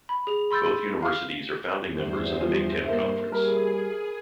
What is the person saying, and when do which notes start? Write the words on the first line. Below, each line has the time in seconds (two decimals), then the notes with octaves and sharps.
Both universities are founding members of the Big Ten Conference.
0.09 B5
0.27 G#4 F7
0.51 B5 C6 E6 G6 A6
1.03 F5 F6
1.87 E2 G2 C5
2.40 E3 F3 G3
2.84 A#3 E5
3.32 G3 G#4 A#4 B5